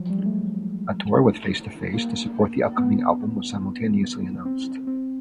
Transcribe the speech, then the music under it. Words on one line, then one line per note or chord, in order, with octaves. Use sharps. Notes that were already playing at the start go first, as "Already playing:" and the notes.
A tour with Face to Face to support the upcoming album was simultaneously announced.
Already playing: F3 F#3
G3
G#3
A3
A#3
B3
C4
C4